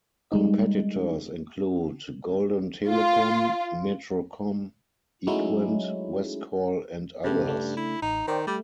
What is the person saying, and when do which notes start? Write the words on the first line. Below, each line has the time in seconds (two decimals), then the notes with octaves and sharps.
Competitors include Golden Telecom, Metrocom, Equant, Westcall, and others.
0.32 G3 G#3 D#4
2.88 F4
5.27 F#3 G#3 A3 C#4 D#4 E4
7.24 G2 C#3 A3 B3
7.46 C#3 A3 D4
7.77 E4
8.02 A1 D#4
8.28 D#3 C5 D5 G5
8.47 G3 A3